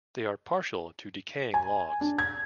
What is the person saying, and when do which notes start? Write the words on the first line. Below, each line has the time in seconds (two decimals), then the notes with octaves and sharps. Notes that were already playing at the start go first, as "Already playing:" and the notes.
They are partial to decaying logs.
1.54 G#5
2.01 D4
2.18 G#6